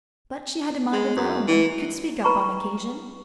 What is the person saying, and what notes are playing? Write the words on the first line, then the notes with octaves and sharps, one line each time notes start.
But she had a mind of her own and could speak up on occasion.
G#3
F#2
E3
B4 A#5 B5 C#6